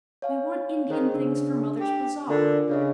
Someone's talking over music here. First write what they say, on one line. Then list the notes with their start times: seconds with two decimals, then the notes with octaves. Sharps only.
'We want Indian things for mother's bazaar.
0.22 C#5 F5 G#5
0.90 D#3 G#4 C5
1.14 C#3 D4
1.80 G4
2.29 D3 D4 F4 A#4
2.69 C#3 D4 G#4 D#5